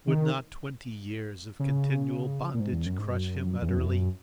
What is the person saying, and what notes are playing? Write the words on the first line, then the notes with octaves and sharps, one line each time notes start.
Would not twenty years of continual bondage crush him utterly?
D#3
C#3
A#2
G#2
E2
F#2
G#2
F#2
E2
F#2
E2
F#2